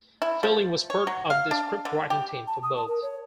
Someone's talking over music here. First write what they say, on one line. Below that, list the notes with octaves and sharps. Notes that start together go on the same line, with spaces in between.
Fielding was part of the scriptwriting team for both.
E4
F3
C#5
F#3
F5
D4
D3
G4
A5
D#6
A5
A#4
C#5